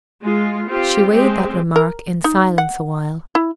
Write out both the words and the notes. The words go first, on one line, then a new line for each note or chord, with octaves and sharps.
She weighed that remark in silence a while.
G#3 F4
C4 F4 G4
G#3 C4 G4
A#4
D#4
F#5
E4